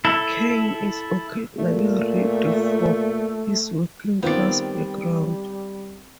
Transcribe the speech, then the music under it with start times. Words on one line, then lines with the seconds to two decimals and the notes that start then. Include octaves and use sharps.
Caine is occasionally ribbed for his working-class background.
0.05 E4 A4
1.58 A#2 A3
4.23 D#3 G3 B3 C4 F4 D5